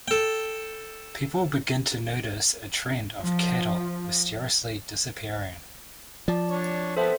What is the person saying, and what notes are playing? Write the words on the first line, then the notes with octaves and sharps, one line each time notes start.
People begin to notice a trend of cattle mysteriously disappearing.
A4 G5
F3
F3 D5 A5
D4 C#5
B3 C4 A4 C5 E5 A5